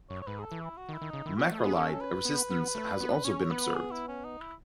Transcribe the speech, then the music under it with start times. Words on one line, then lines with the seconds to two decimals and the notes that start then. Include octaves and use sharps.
Macrolide resistance has also been observed.
0.10 F#2 C#5
0.21 C#5
0.27 G#2 B4
0.39 G#4
0.43 A4
0.52 E3
0.60 E4
0.77 F#4
0.89 D#3
0.94 E4
1.01 D#3
1.09 C#3 D#4
1.26 D#3 E4
1.38 B3 F#4 G#4
1.52 A3 A4
1.59 B3 G#4
1.75 C#4 A4
1.92 A4
2.00 B4
2.25 B3
2.50 B3
2.75 A3
3.01 B3
3.25 C#4 C#5
3.50 B3 B4
3.75 G#4
3.91 E4
4.08 C#4
4.24 D#4
4.41 E4